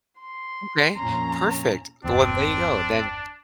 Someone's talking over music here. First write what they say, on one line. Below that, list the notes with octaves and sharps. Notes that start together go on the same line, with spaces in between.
Okay. Perfect. The one there you go. Then
C6
F2 A#2 C#4 A#5
G1 E2 C4 D4